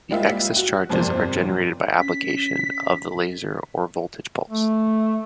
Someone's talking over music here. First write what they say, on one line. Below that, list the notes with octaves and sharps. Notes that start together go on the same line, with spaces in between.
The excess charges are generated by application of the laser or voltage pulse.
G3 G#3 A#3 F4 G4 E5
F#4
G1 F2 C3 A#3 C5 D5
C#4 B6
A3